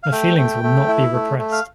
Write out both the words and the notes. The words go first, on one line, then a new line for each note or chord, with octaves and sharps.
My feelings will not be repressed.
F5
A3 G5
A3
A3
E4
A3
A3
F5